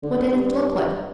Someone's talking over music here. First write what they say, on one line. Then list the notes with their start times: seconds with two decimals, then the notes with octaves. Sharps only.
"What did it look like?"
0.03 D3
0.31 G2